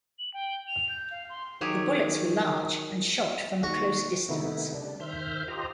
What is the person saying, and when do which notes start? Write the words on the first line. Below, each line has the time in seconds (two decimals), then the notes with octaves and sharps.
The bullets were large and shot from a close distance.
0.19 F#7
0.34 G5
0.68 F7
0.89 G6
1.11 F5
1.30 C6
1.61 D#3 F#3 G4 G#4
3.63 D#2 F#4
4.29 C3 D#3 A3 B3 D#4 E4
4.74 C#3 G3 D4
5.00 D#3 C5 E5 F6 G6
5.48 F4 G4 C5 D#5 A#5